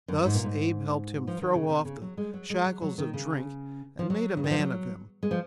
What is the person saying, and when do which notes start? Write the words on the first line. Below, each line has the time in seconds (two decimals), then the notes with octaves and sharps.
Thus Abe helped him throw off the shackles of drink and made a man of him.
0.08 F#2
0.25 G#2
0.34 A#2
0.44 G#2
1.27 F3
1.42 D#3
1.55 C#3
1.69 C3
1.85 C#3
2.02 F#3
2.17 G#3
2.34 F#3
2.50 G#3
2.65 F#3
2.82 F#3
2.98 D#3
3.14 C#3
3.99 F3
4.10 F#3
4.37 C#3
4.44 D#3
4.51 F3
4.58 F#3
5.23 G#3
5.31 F3